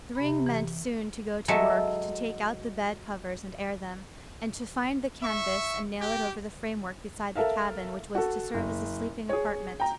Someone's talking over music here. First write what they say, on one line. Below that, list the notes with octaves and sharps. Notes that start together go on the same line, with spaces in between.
Thryng meant soon to go to work, to take out the bed covers and air them, and to find the canvas and nail it over the framework beside the cabin which was to serve as a sleeping apartment.
C3 B5
E3
F#3 G#3 A4 E5
E5 C#6
G4 G5
A4 A#4 E5 F5
F#4 A4
F#1
G#4 C#5
G5 A#5